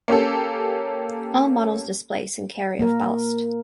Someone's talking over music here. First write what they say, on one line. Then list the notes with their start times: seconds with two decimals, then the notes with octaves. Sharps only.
All models displace and carry of ballast.
0.08 A#3 C#4 G4 A4
2.79 A#3 A#4